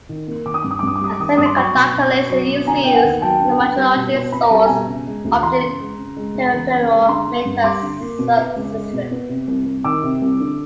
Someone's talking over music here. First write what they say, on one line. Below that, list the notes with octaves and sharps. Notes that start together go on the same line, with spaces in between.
A semiconductor laser is used as the metrology source of the interferometer sub-system.
D#3
A#3
D#3 D6
D#6
G2 D6
D#6
D6
G2 D#6
D6
G3 D#6
D6
D#3 D#6
D6
G2 D#6
C6 D6
F#3 B5 C#6
B2
B2
B3
F#3
B2
D3 G#5 A#5
B3 G5
F#5 G#5
D#2
F#3 G5 A5
D3
B3
G3
B2
B2
B3 B5
A#5
G3 A5
B2 G#5 A#5
C#3
G#3
D2
E3 A#5 C6
C#3
G#3
C#3
G#3
C#2
E3
C#3
G#3
D3 A#5 C6
A#3
G2
G3 C6 D6
D3
A#3
B2
B3
C#2
G#3
B2
B3
C3
C2
C2
D#3 D6 E6
C3
C2
D3